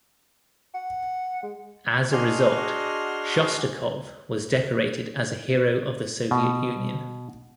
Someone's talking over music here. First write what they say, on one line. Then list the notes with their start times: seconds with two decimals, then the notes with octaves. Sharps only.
As a result, Shostakov was decorated as a hero of the Soviet Union.
0.74 F#5
1.43 G#3
2.12 D4 F#4 G#4 D#5 C6 F6
6.31 B2